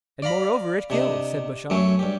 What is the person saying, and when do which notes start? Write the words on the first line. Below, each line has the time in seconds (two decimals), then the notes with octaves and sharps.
"And moreover, it kills," said Beauchamp.
0.22 D5 F5 A#5 B5
0.90 C3 D4 D#4
1.70 F#2 A3 C#4
1.99 G2 G4